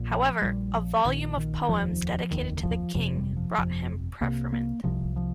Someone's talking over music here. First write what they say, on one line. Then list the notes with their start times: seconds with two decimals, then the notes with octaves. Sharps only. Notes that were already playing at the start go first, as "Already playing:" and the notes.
However, a volume of poems dedicated to the king brought him preferment.
Already playing: A#1 A#2
0.10 F3
0.42 A#1 A#2 G3
0.74 F3
1.05 A#1 A#2 D#3
1.37 D#3
1.69 F1 D#2 F3
2.31 F1 D#2 D#3
2.57 D#3
2.63 F3
2.94 G1 F2 C3 F3
3.16 G3
3.37 F3
3.58 G1 F2 C3 F3
4.21 C2 C3 A#3
4.53 A#3
4.84 C2 C3 F3
5.16 F3